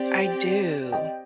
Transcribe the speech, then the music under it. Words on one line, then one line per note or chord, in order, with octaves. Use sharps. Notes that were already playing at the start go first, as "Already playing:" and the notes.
I do.
Already playing: C4 G4 D5 G5
D#5 G5